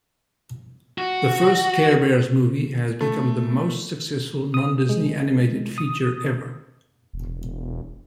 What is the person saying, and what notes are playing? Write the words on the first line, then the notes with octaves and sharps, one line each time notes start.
The first Care Bears movie has become the most successful non-Disney animated feature ever.
F#4
A3
D#6
G#3
D#6
E1